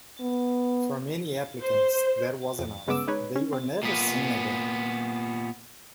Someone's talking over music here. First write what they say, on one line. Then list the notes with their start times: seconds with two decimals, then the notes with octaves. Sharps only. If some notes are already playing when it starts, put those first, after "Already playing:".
For many applicants that was enough; they were never seen again.
0.20 B3
1.61 C5
2.59 F2
2.87 G1 C#3 G#3 B3 D6 E6
3.07 G#3 D#4 B4 C#5
3.36 C#4
3.53 C4
3.83 A#2 B3